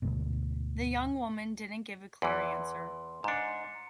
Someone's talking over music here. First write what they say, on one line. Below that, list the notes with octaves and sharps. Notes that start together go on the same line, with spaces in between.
The young woman didn’t give a clear answer.
D2 G#2 B2
E2 E3 C6
G#2 D4 A#5 C#7